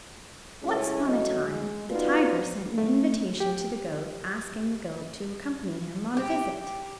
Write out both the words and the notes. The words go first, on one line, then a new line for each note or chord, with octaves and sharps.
Once upon a time the tiger sent an invitation to the goat asking the goat to accompany him on a visit.
A2 C#3 G#3 A3 C#4 E4
A2 F#3 D#5
G#3
B3 D#4 F4 F#4 B4 D5
A3
G4
G4